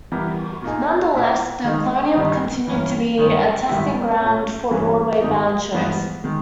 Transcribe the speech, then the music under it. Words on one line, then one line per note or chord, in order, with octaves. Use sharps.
Nonetheless, the Colonial continued to be a testing ground for Broadway-bound shows.
E3 G3 B3 G4 A#4
A#2 A#3 D#4 G#4
A#2 A#3 E4
D#3 G#3 D#4 A#4
G2 D#3 G3 B3
G2 E3 A#3 C#4
G2 D#3 G#3 C#4
G#2 D#3 G3 B3 E4
A#2 A#3 C#4
G2 E3 G3 C#4 G#4
G#2 D#3 G#3 D#4 G4
G2 E3 G#3 B3
D#3 G#3